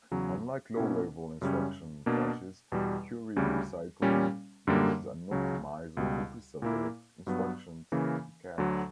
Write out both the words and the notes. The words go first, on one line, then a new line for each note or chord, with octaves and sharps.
Unlike low-level instruction caches, query recycling uses an optimizer to pre-select instructions to cache.
E2 C#3 F#3
B2 A#3 C#4 E4
F#2 C#3 G3 C#4
B2 A#3 D4
E2 B2 G3
D2 C#3 G3
A#2 G3 C#4
F#2 D3 G3 A#3
C#2 C#3 F#3
C#2 B2 G3
A#2 A#3 E4
G2 F#3 B3
C#3 E3 A#3
D2 D3 F#3